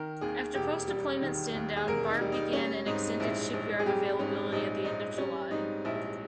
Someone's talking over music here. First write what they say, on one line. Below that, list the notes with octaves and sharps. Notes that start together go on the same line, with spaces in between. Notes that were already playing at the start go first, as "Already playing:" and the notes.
After post-deployment standdown, "Barb" began an extended shipyard availability at the end of July.
Already playing: D#3 A#4
D#2 G#4
E1 G4
G3
D#3
D#2
G#4
E1 A#4
D#4
G3
D#4
G3 C#4
G#2 D#4
A#1 E4
A#1
G#4
G3 G4
G#2 C#4
A#1 D#4
A#1 D#4
G3 C#4
G#2 D#4
A#1 E4